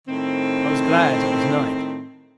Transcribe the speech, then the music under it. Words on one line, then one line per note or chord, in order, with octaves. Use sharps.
I was glad it was night.
A2 D#3 C4